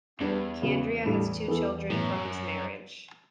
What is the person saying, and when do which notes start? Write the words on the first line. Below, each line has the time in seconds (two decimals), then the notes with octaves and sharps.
Candrea has two children from this marriage.
0.20 E2 G3 D4 G4 B4
0.62 C#3 F#3 B3
1.05 A2 G3 D4 A4
1.48 E3 B3 E4 A4
1.90 F#2 A2 E3 B3